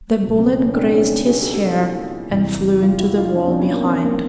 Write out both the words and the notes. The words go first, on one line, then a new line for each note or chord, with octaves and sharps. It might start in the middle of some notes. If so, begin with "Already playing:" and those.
The bullet grazed his hair and flew into the wall behind.
C#2 B2 F#3
A#3 C4
B3 C#4
C4 D4
C#4 D#4
F#4 G#4
G4 A4
G4 A4
F4 G4
E4 F#4
E2 C3 E3 G#3
F4 G4
E4 F#4
D#4 F4
C#4 D#4
C4 D4
B3 C#4
A#3 C4
A#3 C4
A#3 C4